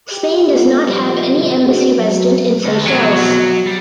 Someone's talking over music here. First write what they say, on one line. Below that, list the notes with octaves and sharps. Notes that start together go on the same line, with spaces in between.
Spain does not have an embassy resident in Seychelles.
G4
A3 B3 F4
A#2 F3 G3
B2 D3 F3
B3 C4 D4 F#4 G#4
F#3
D2
F2 B2 F#3
G3